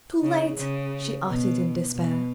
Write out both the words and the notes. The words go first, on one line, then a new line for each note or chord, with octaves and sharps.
"Too late," she uttered in despair.
C#3
C#3
B2
B2